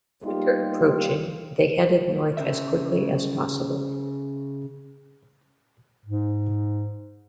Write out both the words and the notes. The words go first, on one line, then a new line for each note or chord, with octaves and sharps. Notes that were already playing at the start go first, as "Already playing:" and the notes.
With winter approaching, they headed north as quickly as possible.
G3 A#3 B3 D#4 F4 G4
C#3 C5 E5
G#2